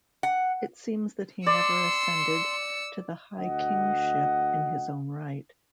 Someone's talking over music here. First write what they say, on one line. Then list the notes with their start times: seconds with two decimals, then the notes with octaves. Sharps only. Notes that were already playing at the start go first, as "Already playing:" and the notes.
It seems that he never ascended to the high-kingship in his own right.
0.23 F#5
1.46 D5 C6 E6 C#7
3.36 D2 D#5 F#5